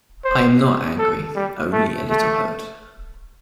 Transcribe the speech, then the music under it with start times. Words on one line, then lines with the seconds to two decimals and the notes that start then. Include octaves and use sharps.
I am not angry, only a little hurt.
0.25 C5
0.98 A4
1.35 G3
1.72 A3
2.09 A3